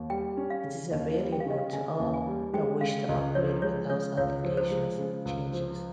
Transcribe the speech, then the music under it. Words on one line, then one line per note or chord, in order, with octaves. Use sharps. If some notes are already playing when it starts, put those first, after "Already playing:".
It is available to all that wish to upgrade without applications changes.
Already playing: D#2
G3 G5
C#4
F5
C#3
D#2 D#5
G3
G5
F5
C#4 D#5
F5
C#3 G#5
D#2
G#5
G3
G#3 G5
C#3 F5
C#2 D#5
F3 C#5
G#3 C#5
C#3 C#5
C#2 C#5
F3
C5
G#3
C#3
C#2
F3